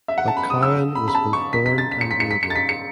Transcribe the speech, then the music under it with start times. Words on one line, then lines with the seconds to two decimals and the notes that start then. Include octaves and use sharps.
But Cowan was both born and made one.
0.08 E5
0.18 F#5
0.28 A5
0.37 B5
0.50 D#6
0.63 E6
0.95 B5
1.08 B5
1.15 A5
1.33 C#6
1.53 B6
1.66 B6
1.78 A6
1.91 B6
2.01 C#7
2.11 B6
2.20 C#7
2.31 B6
2.43 C#7
2.50 A6
2.55 B6
2.69 C#7